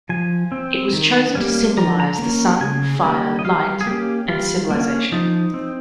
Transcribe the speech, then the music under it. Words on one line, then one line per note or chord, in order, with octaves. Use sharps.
It was chosen to symbolize the sun, fire, light, and civilization.
F3 G#5
C4
D#3
G3 A#3 C#4
F3 A#5
A#5
A#3 C#4
C#3 G#5
G3 A#3 C#4
D#5
G3 F5
G#4
A#3 C#4 G4
G3 F4
A#3 C#4
F3 D#4
C4